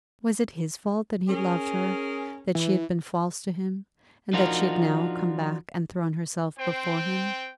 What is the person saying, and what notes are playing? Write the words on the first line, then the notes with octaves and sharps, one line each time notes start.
Was it his fault that he had loved her, that she had been false to him, and that she had now come back and thrown herself before him?
C#4 G#4 A#4
E3
F3 D4 D#4 F4 F#4 A#4
C4 C5 G5